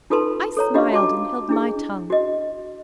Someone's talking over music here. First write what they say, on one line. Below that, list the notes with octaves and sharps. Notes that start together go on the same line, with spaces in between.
I smiled and held my tongue.
D#4 F4 A4 B4 A5 C6
A4 C#5 A#5
D4 F4 G4 D#5 F5
F#4 A5 D6
D4 E4 G#4
F#4 D#5